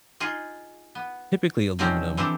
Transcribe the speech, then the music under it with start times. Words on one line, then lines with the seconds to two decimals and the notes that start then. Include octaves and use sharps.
typically aluminum,
0.20 D#4 F4 G#4
0.95 B3
1.79 C3 D#3 F3 G3 C4 C#4
2.17 E3 C4 D4 G4 A4